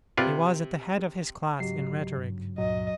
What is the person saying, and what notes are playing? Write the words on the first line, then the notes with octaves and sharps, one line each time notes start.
He was at the head of his class in rhetoric.
C3 F4 B4 D5
G#2 C#3 F#3 G4 D#5 C7
G2
C#2 G2 A#2 F#3 D#5